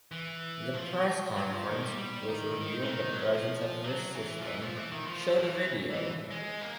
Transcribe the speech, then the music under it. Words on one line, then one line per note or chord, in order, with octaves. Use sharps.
The press conference, which revealed the presence of this system, showed a video.
E3
F3
F#3
F3
D#3
G3
G3
D#3
D#3
E3
D#3
F#3
F3
F#3
E3
F3
E3
F3
E3
D#3
F3
E3
E3
G#3
A#3